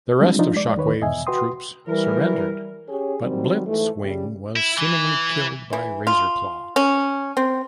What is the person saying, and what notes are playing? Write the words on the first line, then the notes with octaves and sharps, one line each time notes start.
The rest of Shockwave's troops surrendered, but Blitzwing was seemingly killed by Razorclaw.
G3 G#3 C4 D4 F4
F3 D4 D#4 F4
G#3 D5
D#2 D#3 B4 C#5
E2 B2 D#5 E5 G#5
F#4 B4 G5 C6 D#6
E3 G3 A#4
C#4 G4 G#4 C#5
D#3 F#3 G3 C4
G#2 E3 A3
A#2 C#3 G3
E4
E3
E3
F4
C#4
C4